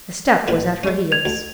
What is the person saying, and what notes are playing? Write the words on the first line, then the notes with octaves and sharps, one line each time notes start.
A step was at her heels.
A#1 A2 B4
G#3 C#4
G#6 F7
D2